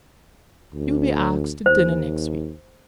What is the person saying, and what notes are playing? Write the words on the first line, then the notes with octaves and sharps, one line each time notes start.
You'll be asked to dinner next week.
D2
D#2 C5